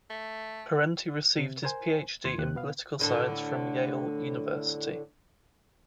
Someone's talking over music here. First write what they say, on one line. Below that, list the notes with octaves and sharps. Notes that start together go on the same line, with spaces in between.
Parenti received his PhD in political science from Yale University.
A3
C3
A#4 C5 G#5
D#2 C6 G#6
D#2 G4 F#6
B2 B3 F5
A2 D3 A4